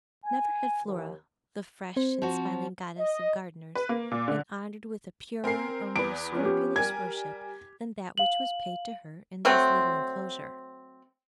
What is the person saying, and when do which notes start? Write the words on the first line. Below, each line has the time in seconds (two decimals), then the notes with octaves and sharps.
Never had Flora, the fresh and smiling goddess of gardeners, been honored with a purer or more scrupulous worship than that which was paid to her in this little enclosure.
0.24 G#5
0.85 D#2
1.96 C4 C5
2.22 F3 F#4
2.99 D#5
3.75 B4
3.89 A#3
4.11 A#2
4.28 D3
5.44 C4 A#4 G#5 C7
5.96 E2 B4 D7
6.32 F3 B3 C#4
6.45 G4
6.76 G3 G4 A#4 G#5 G#6
8.18 F5 F#7
9.45 F#3 A3 C4